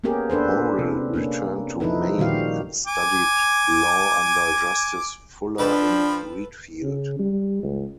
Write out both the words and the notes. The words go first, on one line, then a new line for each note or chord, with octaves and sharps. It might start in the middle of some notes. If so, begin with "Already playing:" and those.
Morrill returned to Maine and studied law under Justice Fuller in Readfield.
A#3 B3 C#4 G4 G#4 A#4
D4 A4 B4 C5
C3
A#3 C#4 D4
F3 D#4 E4 A4 B4
A#2 D#3 G3 F#4 G4 F5
G#5 D6
F3 D4 A4 B4 G5 B5
C#3
G3
C#2